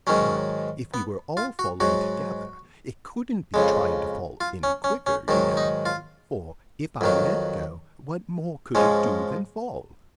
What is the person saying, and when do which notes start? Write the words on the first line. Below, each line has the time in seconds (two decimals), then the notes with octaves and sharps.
But, if we were all falling together, it couldn't be trying to fall any quicker, you know: for, if I let go, what more could it do than fall?
0.07 G#2 D#3 F#3 C#4
0.94 B3
1.37 F4
1.59 F#4
1.80 G#2 F#3 F#4
3.54 F2 C#3 G#3
4.41 F4
4.63 C#4
4.84 C#4
5.06 C#4
5.28 G#2 D#3 F#3
5.57 D#4
5.86 F4
7.01 F2 D#3 F#3
8.75 G#2 F3 G#3 C#4